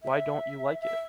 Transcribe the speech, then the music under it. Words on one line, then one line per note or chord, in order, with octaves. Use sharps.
Why don’t you like it?
E5
E5